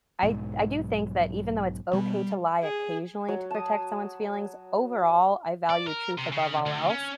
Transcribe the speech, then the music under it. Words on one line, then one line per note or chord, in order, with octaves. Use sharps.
I I do think that even though it's okay to lie occasionally to protect someone's feelings, overall, I value truth above all else,
B1 G#2 F#3
B2 G3
G#4
F#3
A5 D#6
D5
A#4
C3
C#3
D2
C#4